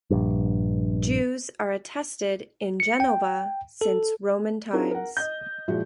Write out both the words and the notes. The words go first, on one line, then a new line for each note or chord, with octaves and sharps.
Jews are attested in Genova since Roman times.
A#1 G2
C#7
G5
A4
C4 D4 D#4 F4 G#4 A#4
A#4 F#5
D#5 G6
A#2 F3 G#3 E4 F#4